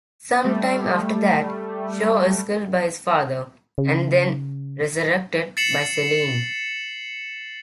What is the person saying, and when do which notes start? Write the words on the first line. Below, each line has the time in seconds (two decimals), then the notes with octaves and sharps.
Sometime after that Shaw is killed by his father, and then resurrected by Selene.
0.44 G3 A3
3.78 C#3
5.57 A6 C7 C#7 E7 F#7